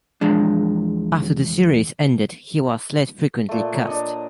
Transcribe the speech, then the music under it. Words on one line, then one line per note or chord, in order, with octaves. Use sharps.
After the series ended, he was less frequently cast.
E2 F3 G#3 D4
A#2 A3
C#5 A#5
D4 D#5